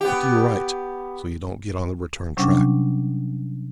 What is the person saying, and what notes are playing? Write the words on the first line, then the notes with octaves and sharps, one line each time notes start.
Keep to your right so you don't get on the return track.
B3 G4
C3 F#3 G3 C#4 D4